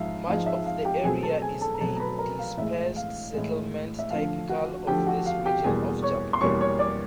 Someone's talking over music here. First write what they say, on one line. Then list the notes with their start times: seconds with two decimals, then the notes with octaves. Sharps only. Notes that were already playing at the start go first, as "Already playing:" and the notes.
Much of the area is a dispersed settlement typical of this region of Japan.
Already playing: G#2 F3 G#3 E5 F5
0.27 G#2 F3 G#3 F5
0.46 E5
0.66 F5
0.85 G4 G5
1.04 B2 F#3 A3 C4 G#4 G#5
1.23 A4 A5
1.42 G#4 G#5
1.61 A4 A5
1.74 A#5
1.81 B2 F#3 A3 C4 A4 A5
1.96 A#5
2.00 B4 B5
2.19 A#4 A#5
2.39 F5
2.57 A2 E3 G#3 E5
2.96 F5
3.34 A2 E3 G#3
3.99 E5
4.11 D3 F3 A3 F5
4.49 F#4 F#5
4.87 D3 F3 A3 G4 G5
5.06 F#4 F#5
5.26 F5
5.46 G4 G5
5.64 E2 B2 G3 A#3 G#4 G#5
6.02 C#5 C#6
6.33 C6
6.41 E2 B2 G3 A#3 C#5 C#6
6.61 C#5 C#6
6.79 D5 D6